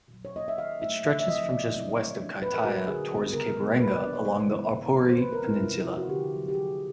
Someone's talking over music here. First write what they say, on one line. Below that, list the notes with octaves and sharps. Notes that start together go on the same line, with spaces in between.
It stretches from just west of Kaitaia towards Cape Reinga along the Aupouri Peninsula.
F#3
C#5
A#3 D#4 D#5
E5
D#3 F5
F#3 A3 E5
C#3 E5
E5
F3 A3 C4 E4 D#5
C#3 D5
F#3 A3 C4 E4
D5
C#3 C#5
F3 A3 D4
A#2 B4
A#4
F#3 A#3 F#4
D3 G#4
G3 B3
C#3 A#4
F#3 B3
C3 B4
D5
F3 A#3 D4 D5
C#5
C3 C5
D#3 G#3 B3 E4
C#3
F3 A3
C5
D#3 B4
A#4
G3 C4
E4
C3 F4
E4
F3 G#3 C#4 F4
F#4
D3 G4
F#3 A#3
G4
F3 G#4